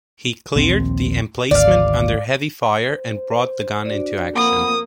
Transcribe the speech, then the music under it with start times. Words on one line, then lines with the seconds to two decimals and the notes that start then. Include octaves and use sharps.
He cleared the emplacement under heavy fire and brought the gun into action.
0.56 A#1 D#2 C4
1.51 G#1 D2 D5 F5
2.87 C5
3.86 D4 F#4 D5
4.35 F2 A#3 F#5 B5 D#6